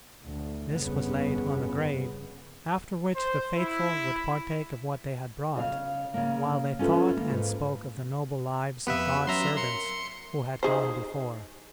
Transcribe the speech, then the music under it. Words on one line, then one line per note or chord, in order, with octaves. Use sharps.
This was laid on the grave, after which the faithful would partake of what they had brought, while they thought and spoke of the noble lives of God's servants who had gone before.
D2 A2
G1 F2 C#3 B3
C5
E4
C#3 E5 F5
C#3 A#3
C#4 F4 A4 B4 E5
A#3
G#2 B4
F2 B3 G4 B4 E5 F5
F#3 C#4 E5 A#5 C6
A#4 C6 C#7
D#4 G#4 C5